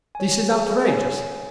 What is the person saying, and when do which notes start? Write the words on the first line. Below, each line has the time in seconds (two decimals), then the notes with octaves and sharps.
This is outrageous!
0.15 C#5 G#5
0.52 G#4
0.88 C#5 G#5